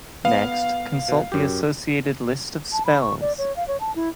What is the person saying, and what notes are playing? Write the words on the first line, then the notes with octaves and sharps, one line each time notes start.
Next, consult the associated list of spells.
B3 F5
B2
F#2 G4
A5
B5
C#6
D5
C#5
F5
C#5
A5
E4